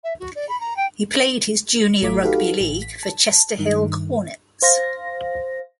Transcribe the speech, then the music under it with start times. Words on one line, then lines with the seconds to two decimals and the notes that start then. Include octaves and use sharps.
He played his junior rugby league for Chester Hill Hornets.
0.04 E5
0.20 F#4
0.35 D5
0.49 B5
0.60 A#5
0.76 G5
2.02 A1 F#3 A3 F4 D6 B6
2.23 D#4 F#4 G4 A4 B4 F5
2.60 A1
2.82 B6
3.03 A5
3.59 G2 D#3
4.62 C5 F5 A#6